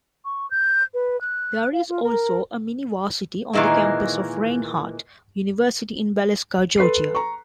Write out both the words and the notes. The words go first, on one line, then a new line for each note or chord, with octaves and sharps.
There is also a mini-Varsity on the campus of Reinhardt University in Waleska, Georgia.
C#6
G6
B4
F#6
F5
F4
A#4
A#2 D#3 E3 G#3 A#3
A4 B4 C6 C7
A#5 C#6